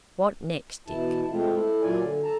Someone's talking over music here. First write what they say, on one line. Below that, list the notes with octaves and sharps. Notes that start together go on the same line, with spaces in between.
"What next, Dick?"
B2 E3 E4 A5
G#3 A3 C4 F4
E4 A4
A#2 F#3 F4 D5 G#5
D3
A4 A5 A#5